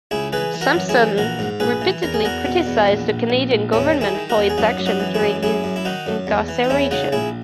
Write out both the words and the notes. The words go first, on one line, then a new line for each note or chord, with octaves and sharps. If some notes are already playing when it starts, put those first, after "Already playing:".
Sampson repeatedly criticised the Canadian government for its actions during his incarceration.
C#2 E4 G#4
E3 G#4 B4
E3
F#4 A#4
F#2
E4 G#4
E3
A#1 F#4 A#4
G#2
A#1 G#4 B4
E3
E2 A#4
G#4
E2 F#4 A#4
B2
E2
A#1
A#1
A#1
A#1
E2 C#4 E4
D#3
E4 G#4
D#3
F#4 A#4
E2
G#4
F#2 D#4 F#4
F#2
D#4 F#4
E3
E4 G#4
F#2
F#2 E4 G#4
F#2
E4
D#3 D#4 F#4
F#2
E2
E3
D#4
E2 C#4 E4
C#3 D#4 F#4
A#1 E4 G#4